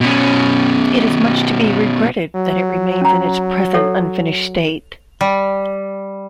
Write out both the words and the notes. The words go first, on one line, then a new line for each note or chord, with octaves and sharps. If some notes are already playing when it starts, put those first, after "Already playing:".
It is much to be regretted, that it remains in its present unfinished state.
B2 C#4
F#3
C#4 A#5
A4 C#5 F#5
G3